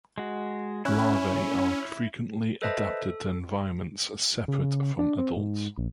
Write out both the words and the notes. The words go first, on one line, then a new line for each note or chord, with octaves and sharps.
Larvae are frequently adapted to environments separate from adults.
G#3 F#4
C#4 E4 F#6
A4 B4 C5 D#5 E5 A5
A4
C#3
D4
C4
G#2
A#1